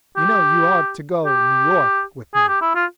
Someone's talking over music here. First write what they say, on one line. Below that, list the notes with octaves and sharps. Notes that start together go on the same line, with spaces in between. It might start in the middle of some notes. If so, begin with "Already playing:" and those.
"You know you are to go New York with me?"
G4
G4
G#4
G4
E4
F4